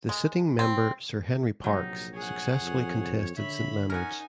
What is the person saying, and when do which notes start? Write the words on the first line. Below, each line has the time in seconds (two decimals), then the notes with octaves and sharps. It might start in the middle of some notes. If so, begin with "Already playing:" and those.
The sitting member Sir Henry Parkes successfully contested St Leonards.
0.09 G#3
0.59 C4
1.64 A#1 C3 F#3 D#4
2.14 G#4 C#5 F#5
2.61 F2
3.37 D3 C#5 E5 B5
3.90 C#4 D#4 A#4 F#5 G#5